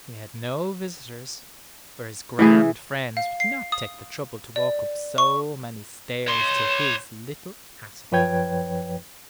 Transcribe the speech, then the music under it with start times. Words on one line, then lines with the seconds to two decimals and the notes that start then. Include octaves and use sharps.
He had no visitors, for his grand friends would not take the trouble to walk up so many stairs to his little attic.
2.39 E3 A3 E4 G#4
3.17 F5
3.40 C7
3.72 D#6
4.56 D5
5.18 C#6
6.27 C#5 C6
8.11 F#2 F3 B4 C#5 G5 G#6